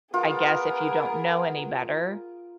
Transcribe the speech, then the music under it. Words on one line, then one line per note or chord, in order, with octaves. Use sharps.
I guess if you don't know any better,
B3 F4 G#4 A#4